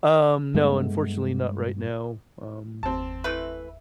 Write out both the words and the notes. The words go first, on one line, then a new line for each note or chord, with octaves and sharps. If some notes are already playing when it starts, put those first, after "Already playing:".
Um, no, unfortunately, not right now, um
G2 G#3 A3 B3
G1 E2 C4 A5
E3 A3 B4 E5